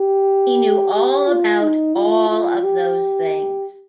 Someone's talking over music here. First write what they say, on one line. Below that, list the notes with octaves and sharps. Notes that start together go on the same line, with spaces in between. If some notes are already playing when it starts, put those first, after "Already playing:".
He knew all about all of those things.
Already playing: G4
G4
F4
D#4
F4
F4
G4